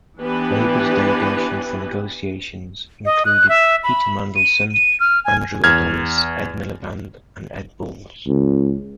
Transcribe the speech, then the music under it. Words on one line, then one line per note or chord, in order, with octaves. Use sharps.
Labour's delegation for negotiations included Peter Mandelson, Andrew Adonis, Ed Miliband, and Ed Balls.
E3 B3 D4 G4 B4
D#5
F#6
E5
B5
D#7
D#7
F6
G#5
E2 F6 G#6
C#2